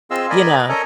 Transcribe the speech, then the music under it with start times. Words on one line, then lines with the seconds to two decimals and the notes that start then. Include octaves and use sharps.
you know,
0.11 C4 F4 G#4 D#5 F5 E6
0.30 A#4 D5 D#5 G#5 B5
0.69 C#4 A4 A#4 D#5 G#5 A#5